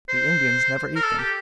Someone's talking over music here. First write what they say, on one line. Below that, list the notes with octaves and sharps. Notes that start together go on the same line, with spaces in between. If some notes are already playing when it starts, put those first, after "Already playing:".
The Indians never eat them.
C5
A#4
A4
G4